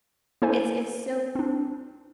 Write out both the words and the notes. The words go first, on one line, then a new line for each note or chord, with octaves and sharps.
it's it's so
A#3 E4 A4 C5 G#5
C4 D4